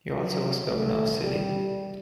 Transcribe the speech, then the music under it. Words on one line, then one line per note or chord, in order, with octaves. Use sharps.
He also was Governor of Scilly.
F#3
A3
G3